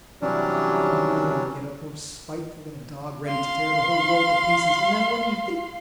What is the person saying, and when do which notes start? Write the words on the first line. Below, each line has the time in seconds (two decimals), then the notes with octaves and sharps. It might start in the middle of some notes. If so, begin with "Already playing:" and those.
In the morning I would get up more spiteful than a dog, ready to tear the whole world to pieces. And then what do you think?
0.22 C3 E3 F#3 G3 C#4 D4
3.25 F5 C6